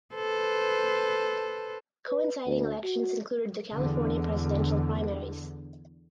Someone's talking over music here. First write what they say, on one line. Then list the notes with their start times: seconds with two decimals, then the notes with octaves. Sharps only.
Coinciding elections included the California presidential primaries.
0.15 A4 B4 C5
2.09 B4
2.47 D2
2.84 F#4
3.75 E2 D3